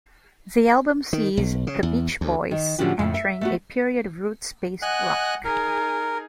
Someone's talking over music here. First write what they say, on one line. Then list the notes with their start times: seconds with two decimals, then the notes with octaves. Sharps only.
The album sees the Beach Boys entering a period of roots-based rock.
1.13 D#3
1.37 B1
1.67 C#3
1.83 E2
2.21 D2
2.51 D#3
2.78 A2 D3 F3 C#4 F#4 G4
2.99 F2 A2 C#3
3.14 E5
3.41 A3 B3 F#4
4.82 D#5 F#5 G#5 F#6
5.45 D#4 G#4 A#4